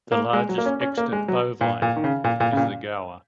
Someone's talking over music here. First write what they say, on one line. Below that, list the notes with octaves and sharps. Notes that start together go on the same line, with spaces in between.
The largest extant bovine is the gaur.
A#3
G#3
F#3
A#3
C#4
C#4
A#3
G#3
F#3
A#2
A#2
D#3
C#3
A#2
A#2
C#3
A#2